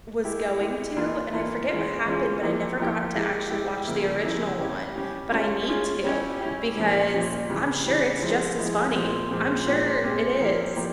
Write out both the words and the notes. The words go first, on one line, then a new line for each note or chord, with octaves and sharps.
was going to and I forget what happened but I never got to actually watch the original one, but I need to because I'm sure it's just as funny. I'm sure it is.
G#3 E4 G4
G#3 E4 G4
E3 A#3 F4
E3 A#3 F4
E3 G#3 C#4 F4
E3 G#3 C#4 F4
F3 A#3 E4 G4
F3 A#3 E4 G4
G#3 E4 G4
G#3 E4 G4
C#3 F3 A#3 E4
C#3 F3 A#3 E4
G3 C#4 G4
G3 C#4 G4
G#3 C#4 F4 G#4
G#3 C#4 F4 G#4
G3 C#4 E4 G4
G3 C#4 E4 G4
A#2 F3 A#3 C#4
A#2 F3 A#3 C#4
C#3 E3 G3
C#3 E3 G3
F3 G#3 E4
F3 G#3 E4
A#2 F3 G#3 C4
A#2 F3 G#3 C4
A#2 G#3 C4 G4
A#2 G#3 C4 G4
F3 A#3 E4 G4
F3 A#3 E4 G4